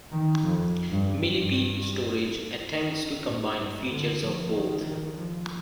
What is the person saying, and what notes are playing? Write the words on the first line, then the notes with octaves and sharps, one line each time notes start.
Millipede storage attempts to combine features of both.
D#3
F2
G2
G2
G#2
G2
D3
F3
D#3
D#3
F3